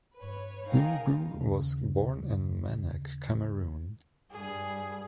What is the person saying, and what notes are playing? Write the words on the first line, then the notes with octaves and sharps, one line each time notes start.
Booh-Booh was born in Manak, Cameroon.
B4 C#5
D#4 G#4 A#4 F5 G5 A#5
D#2 C#3
G2 G3 G#4